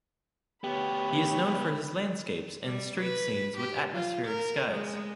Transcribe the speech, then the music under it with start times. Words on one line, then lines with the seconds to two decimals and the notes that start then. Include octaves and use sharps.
He is known for his landscapes and street scenes with atmospheric skies.
0.64 D2 B3 G4 C#5 B5
2.63 G3
2.99 B4
3.57 G4
3.92 F4
4.25 A#4
4.70 G#3